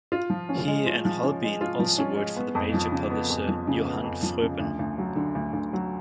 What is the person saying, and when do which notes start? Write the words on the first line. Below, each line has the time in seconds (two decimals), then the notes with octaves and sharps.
He and Holbein also worked for the major publisher Johann Froben.
0.12 F4
0.30 F3
0.49 C#4
0.67 G#3
0.86 F4
1.05 F3
1.23 C#4
1.43 G#3
1.61 F4
1.79 F3
1.98 C#4
2.17 G#3
2.36 B3
2.55 F2
2.74 F3
2.92 C#3
3.10 B3
3.30 F2
3.48 F3
3.67 C#3
3.85 B3
4.04 F2
4.23 F3
4.42 C#3
4.60 D2
4.79 D2
4.98 F#3
5.16 D3
5.35 D2
5.53 D2
5.73 F#3